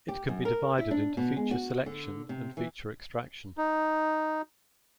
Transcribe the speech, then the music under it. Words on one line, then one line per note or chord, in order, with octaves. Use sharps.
It can be divided into feature selection and feature extraction.
G4
F#2
A#4
E4
D4
B2
G#3
F#4
D3
C3
E3
D#4